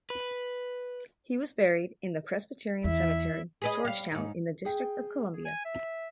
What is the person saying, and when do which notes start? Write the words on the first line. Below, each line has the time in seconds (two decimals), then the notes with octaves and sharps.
He was buried in the Presbyterian Cemetery, Georgetown, in the District of Columbia.
0.10 B4
2.84 E2 E4 E5
3.62 G#4 B4 D#5
3.85 G3 F5
4.12 G#2 D#4
4.65 G#4 G5
5.33 G#4
5.45 G#5
5.65 E5